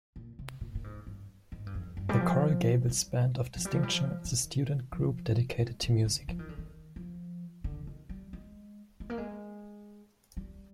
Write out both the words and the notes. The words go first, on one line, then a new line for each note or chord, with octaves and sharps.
The Coral Gables Band of Distinction is a student group dedicated to music.
A#2
C3
A#2
A#2
G#2
G2
G#2
G2
F2
G2
G3
F3
G3
F3
G3
F3
G3
F3
D#3
F3
G#3
D#3
D3
F3
D#3
D3
D#3
F3
D3
D#3
G3
G#3
G#3
A#3
G#3
G3